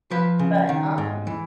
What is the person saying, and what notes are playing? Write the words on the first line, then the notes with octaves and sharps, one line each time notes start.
but, um um,
F3 B4
C#3
D#3
G#2
E3